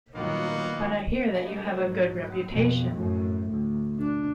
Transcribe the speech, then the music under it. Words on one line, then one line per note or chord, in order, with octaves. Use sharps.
But I hear that you have a good reputation.
A#2 D#3 F#3 G3 A#3 B3 F#5
G#2 F#3
F2 B2
F#2 A2
D2
D4